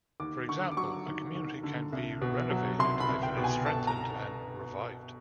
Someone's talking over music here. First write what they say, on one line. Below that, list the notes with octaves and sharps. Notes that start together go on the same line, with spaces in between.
For example, a community can be renovated if it is strengthened and revived.
D#2 D6
D3 C#6
D6
F#3 C#6
D#2
D#2
D3
C2
B2
F#3
C2 C6
B5
C2
G5
B2
G#5
G1 A5
A#5